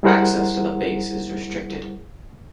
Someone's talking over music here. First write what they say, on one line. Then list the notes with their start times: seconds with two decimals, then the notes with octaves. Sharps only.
Access to the base is restricted.
0.03 G3 E4 G#4 A#4 C5 F#5